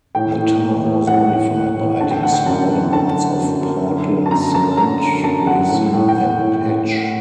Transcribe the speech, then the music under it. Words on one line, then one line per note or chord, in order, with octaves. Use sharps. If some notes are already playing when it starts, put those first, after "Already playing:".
The tar was modified by adding small amounts of Portland cement, resin, and pitch.
A2 G5
A2
A2
A2
A2 F#5
A2
A2
A2
D3 A5
G5
D3 F#5
G5
F#2 A5
F#2
D3 A5
D3
F#2
F#2
D3
D3
A5
F#2 A#5
F#2 A5
D3 A#5
D3
F#2 A5
F#2 F#5
A2 F#5
A2
G5
A2 F#5
A2
A2
A2